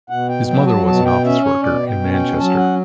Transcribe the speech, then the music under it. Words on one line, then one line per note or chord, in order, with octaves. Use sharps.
His mother was an office worker in Manchester.
B2 F#5
G5
F#3 G5
A5
B2 A5
G5
C#4 E5
C#5
B2 D5
G5
C#4
G5
F#3 A5
F#5